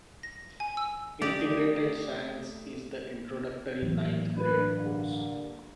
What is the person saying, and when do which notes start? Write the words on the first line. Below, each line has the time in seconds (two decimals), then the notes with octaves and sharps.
Integrated Science is the introductory ninth grade course.
0.23 A#6
0.60 G#5
0.77 E6
1.22 A3 G4 D5 D#5
3.82 D#2 A2 E3 F#3
4.36 G2 D4 B4
4.76 D3 A#3